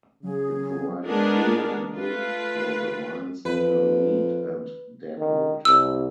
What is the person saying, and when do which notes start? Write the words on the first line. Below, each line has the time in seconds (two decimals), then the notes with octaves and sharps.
It provided fuel and wood for the mines near Lead and Deadwood.
0.23 C#3 F#3 G#4
1.06 G#3 B3 D4 G#4 A#4
1.95 A3 F4 B4
3.45 F2 B4
5.18 D#3
5.65 C2 E6